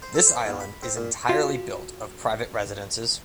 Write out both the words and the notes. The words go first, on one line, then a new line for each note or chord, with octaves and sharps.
This island is entirely built of private residences.
C5
A4
C5
E2
B5
C4
A#2
F4 F#4